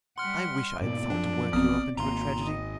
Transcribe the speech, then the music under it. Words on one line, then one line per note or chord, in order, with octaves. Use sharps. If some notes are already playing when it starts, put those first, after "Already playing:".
"I wish I had thought to work you up into a tragedy."
G3 F#5 C6 F6
G#2 B2 A#3 D5
F#2 F3 D4
A1 B3 C4 D#6 F6
G#1 A#3 F4 A#5 C6
D#5